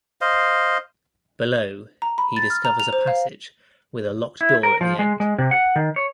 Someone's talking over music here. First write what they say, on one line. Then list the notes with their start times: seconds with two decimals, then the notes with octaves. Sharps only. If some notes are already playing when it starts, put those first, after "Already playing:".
Below, he discovers a passage with a locked door at the end.
0.21 C5 D#5 F5
2.02 A#5
2.18 B5
2.37 A6
2.50 F6
2.65 A#5
2.80 F7
2.93 C5
3.07 F5
4.41 E4
4.63 A#4
4.81 F3
4.99 G#3
5.20 G#3
5.38 C3
5.51 F#5
5.76 D#3
5.96 C#5